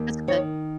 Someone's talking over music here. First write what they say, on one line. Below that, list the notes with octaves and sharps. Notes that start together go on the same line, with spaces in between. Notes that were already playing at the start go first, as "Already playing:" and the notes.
that's good.
Already playing: D#2
D#3 C#5